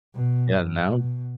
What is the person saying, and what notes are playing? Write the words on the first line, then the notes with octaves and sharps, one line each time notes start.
Yeah, and now
B2
F#2
B2